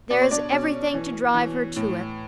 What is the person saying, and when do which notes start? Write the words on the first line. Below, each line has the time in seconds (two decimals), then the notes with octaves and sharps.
There is everything to drive her to it.
0.10 B2 D5
0.22 C#5
0.31 D4 D5
0.52 B2 C#4 C#5
0.94 E3
1.34 E3
1.76 A2